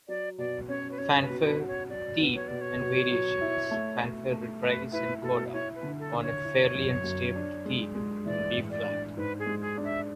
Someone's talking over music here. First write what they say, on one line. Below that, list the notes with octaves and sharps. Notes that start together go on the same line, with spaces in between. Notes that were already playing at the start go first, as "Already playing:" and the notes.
Fanfare, theme and variations, fanfare-reprise and coda, on a fairly unstable theme in B-flat.
F#3 D5
B2 D5
C#4 C#5
B4
C#4 C#5
B4
B2
B4
F#4
C#5
F#3 D5
B3
C#5
B2 D5
C#5
B2
F#3
E4
A3
B2
A3
A3 B4
E4 B4
B2 A4
E4 C#5
B4
D3
A4
D3
C#5
E4
F#2
F#2
D4
G#3
G#3
E3 D5
A2
D5
D4
G#2 B4
G#4
G#3
G#4
D4
E5